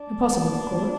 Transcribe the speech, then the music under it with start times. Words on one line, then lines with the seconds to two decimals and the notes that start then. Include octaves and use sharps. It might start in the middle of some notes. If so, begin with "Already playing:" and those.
Impossible--of course.
Already playing: D4
0.45 A#3
0.51 B3
0.73 A#3